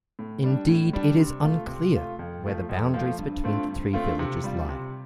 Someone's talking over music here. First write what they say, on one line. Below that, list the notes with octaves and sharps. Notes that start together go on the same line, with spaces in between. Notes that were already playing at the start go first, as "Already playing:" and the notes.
Indeed, it is unclear where the boundaries between the three villages lie.
A2
G3 D4
A2
G3 D4
C3
A3 F4
C3
A3 F4
F2
F3 A3 F4
F2
F3 A3 F4
G2
D3 A3 C4 F4
G2
D3 A3 C4 F4
C3
G3 F4
C3